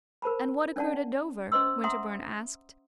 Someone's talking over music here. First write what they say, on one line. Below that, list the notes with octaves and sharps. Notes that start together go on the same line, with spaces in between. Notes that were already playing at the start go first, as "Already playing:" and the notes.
"And what occurred at Dover?" Winterbourne asked.
A#4 C5 A5 B5
C#4 D4 D5 F#5 A5
C#4 C5 D#5 C6 E6
E5 F#5 A#5 C6 D#6